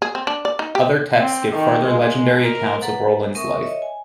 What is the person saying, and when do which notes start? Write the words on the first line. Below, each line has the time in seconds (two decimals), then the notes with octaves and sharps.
Other texts give further legendary accounts of Roland's life.
0.02 G#4
0.15 C4
0.27 D4
0.45 D5
0.59 D#4
0.75 G4
1.20 C4
1.53 D#3
1.88 G#3
2.43 A#4
2.81 G#4 A4 B4 F#5 A#5
3.19 G#3
3.35 C4 A#4 E5 C#6 D#6
3.62 C#5 D#5 E5
3.82 G#5